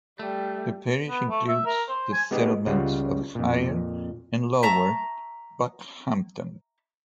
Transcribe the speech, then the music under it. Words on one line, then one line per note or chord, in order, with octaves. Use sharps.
The parish includes the settlements of Higher and Lower Bockhampton.
G3 A3
B3
A3
E5
A#4
C5
G#5
G#3 B3 D#4 G4 G#4
C#2 C#3 G3 F4 F#5
F2 A#2
E5 A5 A#5 C#6